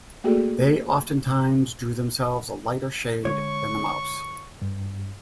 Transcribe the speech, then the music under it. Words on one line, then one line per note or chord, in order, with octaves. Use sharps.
They oftentimes drew themselves a lighter shade than the mouse.
A3 A#3 F#4 G#4 A4 D5
D3 G#3 C#5 C#6
G2